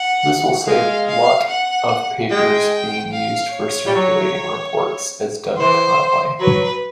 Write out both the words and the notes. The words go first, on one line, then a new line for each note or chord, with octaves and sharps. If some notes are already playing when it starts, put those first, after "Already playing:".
This will save lot of papers being used for circulating reports as done currently.
Already playing: F#5
G#3 F5
F5
F#5
G#3 G5
G5
F5
C#5
G3
F#3
E3 C5
F#3 B4